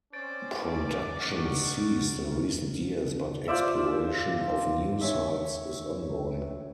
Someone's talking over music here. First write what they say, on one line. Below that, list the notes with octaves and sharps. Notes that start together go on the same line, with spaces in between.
Production ceased in recent years but exploration of new sites is ongoing.
C4 C#4 C5 D5 D6 A6 D7
D#4 F#5 C#6 F6 D7
F4 C5 D5 E5
C#4 C#5 E5